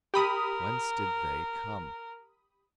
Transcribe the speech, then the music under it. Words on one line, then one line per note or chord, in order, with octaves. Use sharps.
Whence did They come?
G4 A#4 B5 D#6